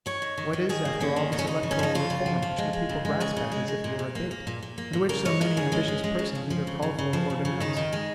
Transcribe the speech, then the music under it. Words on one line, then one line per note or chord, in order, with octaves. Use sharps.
What is, after all, this electoral reform which the people grasp at, as if it were a bait, and which so many ambitious persons either call for or denounce?
D#3 C#5
D#3
D#3
D#3
D#3 G#4
A#3
A#3 C#4
D#3
C#3 D#4
C#4
F3 D#4
C#3
C#4
F3 D#4
C#3 F4
C#3
F3
F3
G#3
G#3
C#3
G#3
C#3 G#4
C#3
G#3
G#3
A#2
A#2
A#3
A#3
A#2
A#2
A#3
A#2
C#3 A#4
G#3 C#5
G#3 A#4
C#3 G#4
G#3 C#4
G#3
G#3
C#3
F3
F3
C#3
C#3
C#3
F3
C#3
C#3
D#3 D#4
D#3
G#3